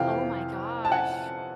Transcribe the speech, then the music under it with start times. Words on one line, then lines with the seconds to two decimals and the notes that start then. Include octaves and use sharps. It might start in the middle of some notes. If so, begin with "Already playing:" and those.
Oh my gosh.
Already playing: F2 C3 E3 F5 G5
0.85 A5
0.92 F#5 G#5